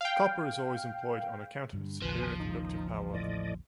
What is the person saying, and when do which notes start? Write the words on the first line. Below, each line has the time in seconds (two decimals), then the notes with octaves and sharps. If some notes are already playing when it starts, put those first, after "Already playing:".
Copper is always employed on account of its superior conductive power.
0.01 F5 G5
1.73 G2 D3
2.02 A1 D#2 C#3 F3 B4 G#5
2.40 D#4
3.14 A2 D5 D#5